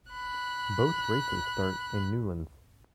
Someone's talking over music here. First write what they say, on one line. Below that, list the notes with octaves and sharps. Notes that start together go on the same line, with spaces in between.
Both races start in Newlands.
B5 F#6